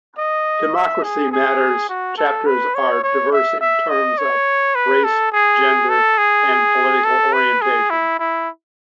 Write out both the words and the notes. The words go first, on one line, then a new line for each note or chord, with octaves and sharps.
Democracy Matters chapters are diverse in terms of race, gender, and political orientation.
D#5
E5
G#4
G#4
F#4
A4
B4
C#5
C#5
E5
E5
D#5
C#5
B4
A4
G#4
A4
G#4
A4
B4
G#4
E4
E4